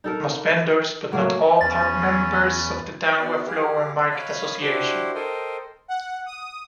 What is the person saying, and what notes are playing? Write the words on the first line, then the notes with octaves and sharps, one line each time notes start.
Most vendors, but not all, are members of the Dangwa Flower Market Association.
D#4 A4 A#4
F#3 A3 A#3 F#4
E2 C#4 B4 A6
B3 D#4 F#4 D5
G4 G#4 F5
C#5 D#5 F5 B5
D4 E4 F#4 G4 C5
A4 A#4 C5 D#5 G5
F#5
D#6